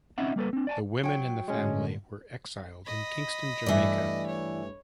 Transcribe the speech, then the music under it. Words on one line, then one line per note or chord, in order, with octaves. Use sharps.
The women in the family were exiled in Kingston, Jamaica.
C4 C#4 D#4 E4 E5 F#5
G3 A#3 A4 B4
C4 D4
D5 G#5 A5
F#3 G5
A2 D3 G#3 C#4
D#5 B5
G2 E3 A3 D5
C#5